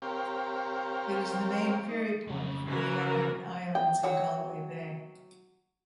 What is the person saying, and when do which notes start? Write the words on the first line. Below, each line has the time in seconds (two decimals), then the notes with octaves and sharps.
It is the main ferry port for the Aran Islands in Galway Bay.
0.02 C4 G4 A#4 C#5 F5 G5
1.89 D#4
2.27 F2 C#3
2.67 C#3 E3 F#4 A#4
3.75 G5
4.03 F#3 F#4 G5